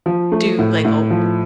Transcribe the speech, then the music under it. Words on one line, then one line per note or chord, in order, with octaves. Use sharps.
do, like, o b
F3
A3
A2
A2
F3